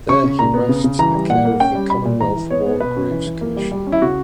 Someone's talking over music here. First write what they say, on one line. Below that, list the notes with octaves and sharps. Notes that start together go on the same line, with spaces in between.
There he rests in the care of the Commonwealth War Graves Commission.
C#4 C#6
C#3
A#2 A#5
B3
C#3
C#3
E3 A#5
G3
A#2 F#5
A#3
C#4 G5
G3
G3 B5
A#2
E3 A#5
E3
B3 C#5
B3
B2 B4
C#4
E3
E3
A#3
G3
G3
C#4
E4
C#3 F#4